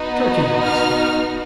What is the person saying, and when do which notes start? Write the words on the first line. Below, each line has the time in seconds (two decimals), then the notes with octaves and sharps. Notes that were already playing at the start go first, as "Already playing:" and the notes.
"Turkey!" I exclaimed.
Already playing: B3 D#4 F#4
0.63 F6